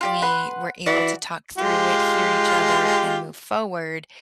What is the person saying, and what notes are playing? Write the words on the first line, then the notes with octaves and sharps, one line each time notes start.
we were able to talk through it, hear each other, and move forward,
F4 G4 D5
B4 F#5 C6
E3 F#4 D5
G#3 F4 G4